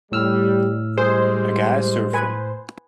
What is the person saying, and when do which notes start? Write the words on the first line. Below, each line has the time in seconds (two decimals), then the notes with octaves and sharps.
A guy surfing.
0.12 A2 G3 E6 F6
0.98 G3 G#3 G#4 C5
2.13 B4 G#5